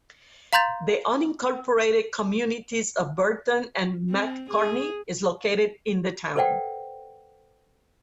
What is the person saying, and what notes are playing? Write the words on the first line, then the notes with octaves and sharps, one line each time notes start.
The unincorporated communities of Burton and McCartney is located in the town.
F5 A#5 C6 G6 A6 F7
C4
G#4
A4 B4 C5 D5 F#5 G5